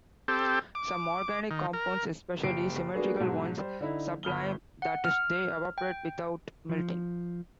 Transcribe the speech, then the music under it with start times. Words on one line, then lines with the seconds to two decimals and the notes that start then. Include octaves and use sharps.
Some organic compounds, especially symmetrical ones, sublime, that is they evaporate without melting.
0.28 C4 G4 A4
0.75 D6
1.51 D#3
1.74 A#4
2.43 F#1 G4 C7 D7
2.94 A#3 B3 D4 F#4 G#4 B4
3.20 B1 G#2 F#3
3.58 G3 C5
3.80 D3 D#4 E4
4.23 G1 B5 F6 G7
4.82 F#5
5.05 F6
5.78 G5
6.69 F3